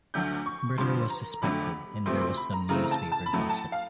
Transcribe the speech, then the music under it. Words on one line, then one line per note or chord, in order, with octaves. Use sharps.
Murder was suspected, and there was some newspaper gossip.
D2 D3 F#3 A3 G6
C#6
G2 D3 F3 C6
A#5
F2 D3 F#3 A3 B5
D2 C3 F3 A3 C4 C6
C6
B5
A#5
C#3 E3 A3 C4 A#5
A#5
A5
A5
B5
A2 F#3 A3 A#5
A5
F5